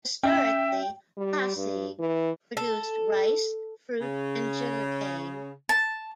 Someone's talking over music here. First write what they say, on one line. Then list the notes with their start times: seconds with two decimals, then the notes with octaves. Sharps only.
Historically, Pasig produced rice, fruit and sugarcane.
0.23 C#4 E5 G5
1.17 G3
1.57 G2
1.99 E3
2.57 A4
4.01 C#3
5.69 A5